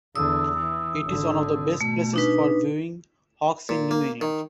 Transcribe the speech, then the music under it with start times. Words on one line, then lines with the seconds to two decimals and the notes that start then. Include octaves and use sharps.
It is one of the best places for viewing hawks in New England.
0.15 E2 D3 D#6 E6
0.56 E3
1.04 G#1 D3
1.81 B2 A3
2.14 D4 D#4 B4
3.69 A#2
3.91 A#3
4.21 D#3